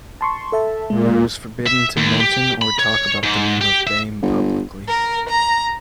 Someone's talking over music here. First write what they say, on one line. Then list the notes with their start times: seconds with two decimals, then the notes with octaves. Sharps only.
It was forbidden to mention or talk about the name of Baiame publicly.
0.21 A5 C6 C#6
0.52 A4 E5 A5
0.90 A#2 G#3
1.67 E5
1.97 D#2
2.20 G4
2.62 B5
2.79 C#5
3.23 G#2
3.61 G4
3.87 E5
4.22 G1
4.88 A#4
5.29 A#5